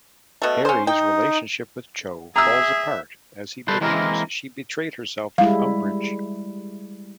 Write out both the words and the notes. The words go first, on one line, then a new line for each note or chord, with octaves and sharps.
Harry's relationship with Cho falls apart, as he believes she betrayed herself to Umbridge.
B2 A3
C#4 C5
D#4 G5
G#4 E5 A#5 E6
G3 A4 B4 C5
E3 G#3 A#3 C4 E4 A#4
G3 G#3 E4 F5